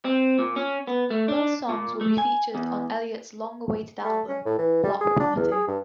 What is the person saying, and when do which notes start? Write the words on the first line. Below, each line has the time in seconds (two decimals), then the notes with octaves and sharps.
Both songs will be featured on Elliott's long-awaited album, "Block Party".
0.05 C4
0.39 A#2
0.56 C#4
0.87 B3
1.10 A3
1.28 D4
1.69 A#2
2.01 A3
2.18 G#5
2.55 E2
4.04 A3
4.29 C#4
4.46 A2
4.58 E3
4.84 G3
5.01 G#4
5.20 D4
5.36 E2
5.52 G#4
5.68 G2